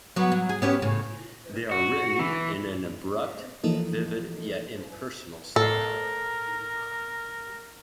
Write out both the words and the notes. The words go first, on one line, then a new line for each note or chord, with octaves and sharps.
They are written in an abrupt, vivid, yet impersonal style.
F#3 B3
F#3
G#4
B3 C#4 G4
A2 C#3
F#4
E3
E3 F3 A#3 D#4 A4
A2 A4 A#4 C7